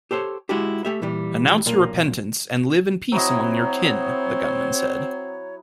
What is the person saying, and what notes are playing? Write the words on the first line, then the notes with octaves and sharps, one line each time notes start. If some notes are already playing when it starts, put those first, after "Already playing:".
Announce your repentance and live in peace among your kin, the gunman said.
G4 A4 C5 C#5
G#3 E4 F#4 G4
A3 G4 E5
A#2 E3 G3
B1 A#2 A#3
F#3 C4 E4 C#5 D#5